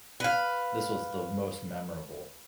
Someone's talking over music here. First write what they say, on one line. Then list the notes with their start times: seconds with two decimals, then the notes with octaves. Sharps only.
this was the most memorable."
0.20 B4 F5